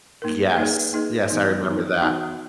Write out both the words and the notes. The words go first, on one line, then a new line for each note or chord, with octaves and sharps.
Yes. Yes, I remember that.
A#3 D#4 A#4
A#3 D#4 G#4 B4 D#5
A#3 D#4 G#4 B4 D#5
E3 B3 D#4
E3 B3 D#4
E3 B3 D#4 F#4